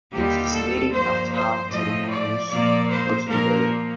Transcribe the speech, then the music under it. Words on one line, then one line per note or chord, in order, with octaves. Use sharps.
It is named after Johannes Gutenberg.
D#2 D3 G3 G4
A4
G2 F3 A#3 C5
C5
A2 F3 A3 D#5
D5
A#2 F3 A#3 D5
C5
A#2 F3 A#3 A#4